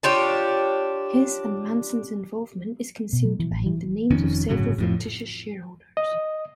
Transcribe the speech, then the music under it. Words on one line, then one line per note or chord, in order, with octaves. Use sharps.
His and Manson's involvement is concealed behind the names of several fictitious shareholders.
D4 F4 G4 C#5
B2
F#3
E3
A1
E3
F1 F2 D#3 C#4
G1 A2 C#3 F#3
F2 A2 F3
D#5